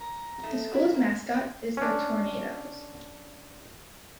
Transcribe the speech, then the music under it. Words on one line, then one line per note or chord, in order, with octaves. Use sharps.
The school mascot is the Tornadoes.
A#5
G#3 A3 D#4
F2 E4 F#4 A#4
A#3 C4 D#4 F4
C#4 D4